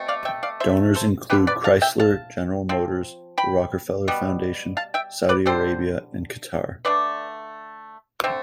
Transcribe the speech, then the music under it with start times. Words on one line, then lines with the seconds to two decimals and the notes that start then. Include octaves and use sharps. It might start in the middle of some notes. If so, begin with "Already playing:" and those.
Donors included Chrysler, General Motors, the Rockefeller Foundation, Saudi Arabia and Qatar.
Already playing: B2 A3 C4
0.08 D5 F5
0.25 E5 G5
0.43 D5 F5
0.60 C5 E5
0.95 A4 C5
1.30 D3 F3 B3 G4 B4
1.47 B4 D5
1.64 F5 A5
1.82 E5 G5
2.00 F5 A5
2.69 F3 C4
3.38 G5 B5
4.08 B2 G3 B3
4.77 F5 A5
4.94 E5 G5
5.29 B4 D5
5.46 D3 G3 C4 A4 C5
6.85 D3 A3 D4 B4 D5
8.24 D3 A3 C4 C5 E5